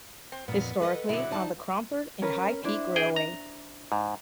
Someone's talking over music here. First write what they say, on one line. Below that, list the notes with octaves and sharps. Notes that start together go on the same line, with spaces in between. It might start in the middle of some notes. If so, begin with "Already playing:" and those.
Historically on the Cromford and High Peak Railway.
C4
F2 A#2 B3
A4 B4 D#5
B2 D3 F#3 E4
D#4 D5 A5
C#4 A#4 B4
D4 E4 C5
G#4 G5
A#5
G#2